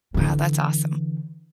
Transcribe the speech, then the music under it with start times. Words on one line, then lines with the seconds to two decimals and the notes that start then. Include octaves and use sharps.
Wow, that's awesome.
0.14 D3 E3